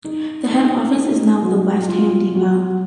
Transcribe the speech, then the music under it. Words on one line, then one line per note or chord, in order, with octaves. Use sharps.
The head office is now at the West Ham depot.
D#4
D#4
D#4
F#3
F4
F#3